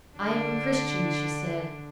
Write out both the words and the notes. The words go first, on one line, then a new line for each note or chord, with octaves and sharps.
'I am a Christian,' she said.
D3 D4